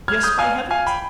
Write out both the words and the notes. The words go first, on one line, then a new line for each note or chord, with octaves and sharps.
Yes, by heavens!
F6 G#6
D#6 G6
F5 G#5
F5 G#5
G5 B5